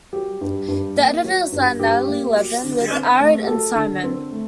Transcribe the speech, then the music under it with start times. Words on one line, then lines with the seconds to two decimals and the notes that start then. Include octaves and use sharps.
The editors are Natalie Levin, with Arad and Simon.
0.13 F#3 G4
0.41 G2
0.68 G2
0.96 A#3
1.24 F#3
1.52 G2
1.79 G2 G4
2.08 A#3
2.36 F#3
2.64 D3
2.91 C4
3.19 A3
3.43 G4
3.47 F#3 A4
3.75 D3
4.03 C4
4.31 A3